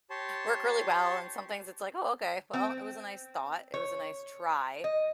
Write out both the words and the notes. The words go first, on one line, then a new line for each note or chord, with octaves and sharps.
work really well, and some things it's like, "Oh, okay, well, it was a nice thought, it was a nice try,"
G4 C#5 A5 C6
C4
C#5
D#5